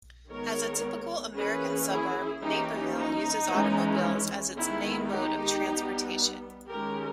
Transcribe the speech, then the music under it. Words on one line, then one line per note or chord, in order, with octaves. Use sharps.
As a typical American suburb, Naperville' uses automobiles as its main mode of transportation.
D#3 G#3 B3 A#4 C#5
E3 A#3 C#4 G#4 B4
E4 G#4
E3 A#3 C#4 D#4 G4
D#4
E3 G#3 C#4
D#3 G#3 B3 E4
D#4 G4
G3 B3
D#3 G#3 C#4 G4 A#4